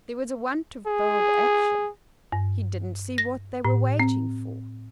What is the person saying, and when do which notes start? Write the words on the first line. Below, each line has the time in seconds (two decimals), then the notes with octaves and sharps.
There was a want of bold action; he didn't see what they were waiting for.
0.87 G#4
2.32 G2
3.18 A#6
3.65 A2
4.00 C4